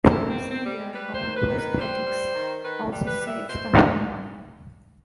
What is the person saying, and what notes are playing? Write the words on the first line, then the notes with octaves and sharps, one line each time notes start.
Producing their own prosthetics also saved the home money.
D#3 E4
C4
D#3
C4
G3
G3 B4
C5
D#3
B4
D#3
B4
G3 C5
G3
D#3
D#3 B4
G3
B4
G3
E5
B2 C5